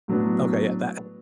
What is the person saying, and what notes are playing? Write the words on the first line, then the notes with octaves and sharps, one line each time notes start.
Okay, yeah, that
A2 F#3 B3 D4